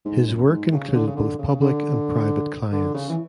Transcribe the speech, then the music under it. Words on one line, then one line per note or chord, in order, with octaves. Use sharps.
His work included both public and private clients.
G#2
F#2
G#2
C#3
C#3
D3
C#3
D3
C#3
D3
D3
C#3
E3